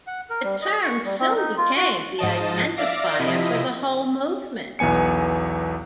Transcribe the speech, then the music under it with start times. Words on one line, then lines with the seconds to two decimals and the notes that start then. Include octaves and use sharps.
The term soon became the identifier for the whole movement.
0.07 F#5
0.30 A#4
0.43 G3
0.62 D#5
0.83 C#6
1.05 G3
1.20 C4
1.36 D#4
1.57 F4
1.76 F#4
2.18 G#2 F3 D#5 A5
2.77 D5 E5 F5 D6 A#6
3.19 C3 F3 E4 D#5 B6
4.79 B1 E2 B3 G#5 C#7